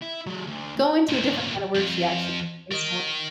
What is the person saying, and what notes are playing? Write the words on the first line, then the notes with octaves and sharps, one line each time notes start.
go into a different kind of work she actually likes more.
E4
F#3 G#3
D2
D2 A#2
F2
A#4 D#5